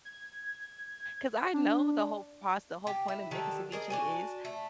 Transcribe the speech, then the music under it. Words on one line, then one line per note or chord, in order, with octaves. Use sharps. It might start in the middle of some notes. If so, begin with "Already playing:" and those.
'cause I know the whole proc the whole point of making ceviche is,
G#6
D4
G4
E4
D3 D#3 G4 A4
G#4 A#4 D#5
D4 F#4 G#5
A3